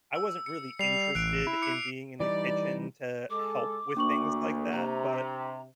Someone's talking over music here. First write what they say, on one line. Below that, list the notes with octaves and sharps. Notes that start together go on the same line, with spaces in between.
I wasn't really interested in being in the kitchen to help with things like that, but
E6
C#7
G3 C7 F7
A1 F#6 D7
E4
D6 F#6 C#7
E3 G3 D#4 D5
G#3 A4 D6
D2 A#3 D4 C#6 F#7
C3 A#5